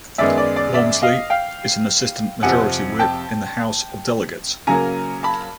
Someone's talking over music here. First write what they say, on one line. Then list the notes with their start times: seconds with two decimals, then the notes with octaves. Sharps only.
Wamsley is an assistant majority whip in the House of Delegates.
0.18 F#2 D#3 G#3 B3 D5 E5
0.38 D5
0.56 D5
0.74 D5 E5
1.02 D#5 F5
1.30 F5 G5
2.42 F2 C3 F3 F#5 G#5
2.99 G5 A5
4.67 C#3 F#3 A#3 G#5 A#5
5.23 A5 B5